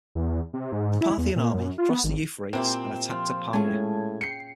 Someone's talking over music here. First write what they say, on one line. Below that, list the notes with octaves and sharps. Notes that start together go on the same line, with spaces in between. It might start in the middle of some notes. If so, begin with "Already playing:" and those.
The Parthian army crossed the Euphrates and attacked Apamea.
E2
C3
G#2
E4
E2
A#2
F#2
F4
B3
G#1
A#2 C4 E4 G4
F3 F4
A2 G#3 C#4 G#4 A5 G#6
G5 C7 C#7